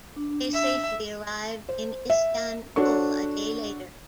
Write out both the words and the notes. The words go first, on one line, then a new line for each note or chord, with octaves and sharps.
They safely arrived in Istanbul a day later.
D4
E5
C5
E5
D4 F#4 A4 C#5 C#6